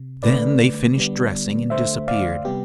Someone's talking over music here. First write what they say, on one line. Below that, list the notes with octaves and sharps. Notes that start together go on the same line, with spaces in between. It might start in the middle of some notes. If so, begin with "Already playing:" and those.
Then they finished dressing and disappeared.
Already playing: C3
D3 A3 B4 D5
D3 G3 B3
D3 A3 C5 E5
D5 F5
C3 G3 B3 G4